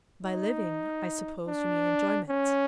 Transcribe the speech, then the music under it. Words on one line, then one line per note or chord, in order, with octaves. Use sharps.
'By living, I suppose you mean enjoyment.'
D#4
D4
C#4